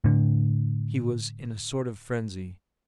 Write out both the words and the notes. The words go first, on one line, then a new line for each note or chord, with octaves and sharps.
He was in a sort of frenzy.
A2 D3